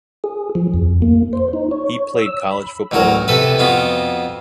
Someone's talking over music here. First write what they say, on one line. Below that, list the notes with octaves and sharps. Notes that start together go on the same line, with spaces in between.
He played college football at Lehigh.
G#4
F3
F2
A#3
C5
D#4
C#5
E6
B5
A1 D2 F#3 F#4 A#4
C3 A4 B4
F2 B3 F4 F#4